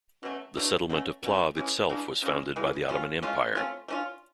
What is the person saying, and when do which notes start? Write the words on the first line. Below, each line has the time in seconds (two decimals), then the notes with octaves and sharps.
The settlement of Plav itself was founded by the Ottoman Empire.
0.23 B2 F#3 A3 C#4
0.57 B2 F#3 A3 D4
0.90 B2 F#3 A3 C#4
1.23 B2 F#3 A3 C#4
1.56 C#3 E3 G#3 C#4
1.89 C#3 E3 G#3 D4
2.23 C#3 E3 G#3 C#4
2.56 C#3 E3 G3 G#3
2.89 G3 A3 C#4 F4
3.22 G#3 A3 C#4 F4
3.55 A3 C4 C#4 F4
3.88 A3 C#4 D4 F4